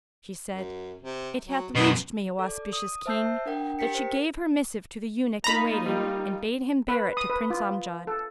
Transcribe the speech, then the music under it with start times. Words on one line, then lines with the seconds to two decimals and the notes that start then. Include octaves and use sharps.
She said, It hath reached me, O auspicious King, that she gave her missive to the eunuch in waiting and bade him bear it to Prince Amjad.
0.48 F#2
1.02 C3
1.46 F#3
1.75 F#2 B2 B3
2.39 A4 D5
2.73 D#6
3.06 C5 E5 A5 E6 G6 C7
3.46 D4 A#4 F#5 G5
3.79 G4 A#4 G5 B6 C#7
3.95 C5
5.44 A#3 D#4 F4 A#5 B5
5.86 G3 G4
6.89 B4
7.17 D#6
7.30 B4
7.50 F4
8.07 A4